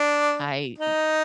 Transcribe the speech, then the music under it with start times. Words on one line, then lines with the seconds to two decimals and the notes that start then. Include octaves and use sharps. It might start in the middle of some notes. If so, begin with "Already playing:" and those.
I, d
Already playing: D4
0.78 D#4